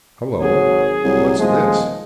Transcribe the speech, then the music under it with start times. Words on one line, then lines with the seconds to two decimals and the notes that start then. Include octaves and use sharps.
"Hullo, what's this?"
0.41 G#1 F#3 G#4
1.04 C2 F#3
1.39 D#1 F3 G#3